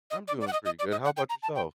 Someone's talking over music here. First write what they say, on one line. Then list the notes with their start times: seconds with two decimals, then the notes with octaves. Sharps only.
I'm doing pretty good, how about yourself?
0.10 D#5
0.28 D5
0.40 D5
0.47 F#5
0.53 D#5
0.65 D#5
0.79 D5
0.91 D#5
1.05 F#5
1.17 G5
1.29 A#5
1.43 A5
1.55 G5